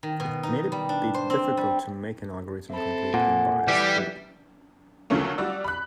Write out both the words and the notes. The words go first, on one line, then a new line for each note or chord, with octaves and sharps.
It may be difficult to make an algorithm completely bias-free.
D#3
B2
D#4
G3
D4
C5
C4
G3
C4 A4 E5 B5
A#2 F#5 G#5
E3 G3 G4 E5
D2 C#3 F3 A3 A#3 C#4
G3 F#4 D5 E6
B5 F#6